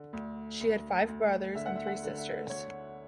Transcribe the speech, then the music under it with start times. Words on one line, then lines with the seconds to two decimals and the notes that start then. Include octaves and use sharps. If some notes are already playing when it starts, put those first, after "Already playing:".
She had five brothers and three sisters.
Already playing: D3
0.13 D2
0.61 D2
1.08 D2
1.55 D3 E5
1.66 F#5
1.76 E5
1.87 F#5
2.03 D3
2.18 E5
2.50 D3 C#5